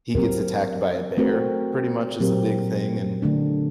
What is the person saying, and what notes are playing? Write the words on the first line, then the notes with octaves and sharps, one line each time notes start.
he gets attacked by a bear pretty much is the big thing, and,
F#3 C4 G4 A#4
A3 C4 F#4 A#4
A#2 F#3 C4 G4 A#4
D3 F#3 A3 D4